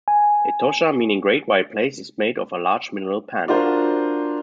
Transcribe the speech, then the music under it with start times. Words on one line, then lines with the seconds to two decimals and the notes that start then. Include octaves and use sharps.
Etosha, meaning 'Great White Place' is made of a large mineral pan.
0.08 G#5
3.48 D4 F4 F#4 A#4 C5